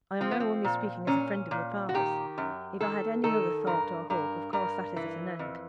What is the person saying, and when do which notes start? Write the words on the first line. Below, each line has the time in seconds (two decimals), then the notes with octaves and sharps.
I am now only speaking as a friend of your father's: if I had any other thought or hope, of course that is at an end.
0.20 F3 C4
0.31 B3
0.40 C4
0.64 A#2
1.07 A#2 C#4
1.51 A#2
1.89 F#4
1.94 D#3 G4
2.38 F#2
2.80 D#3 A4
3.24 D#3 A4
3.67 G2 A#4
4.10 G2 A#4
4.53 G2 A#4
4.96 E3
5.39 F2